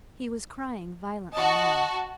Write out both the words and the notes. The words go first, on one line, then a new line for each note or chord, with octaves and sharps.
He was crying violently now.
F#4 D#5 A5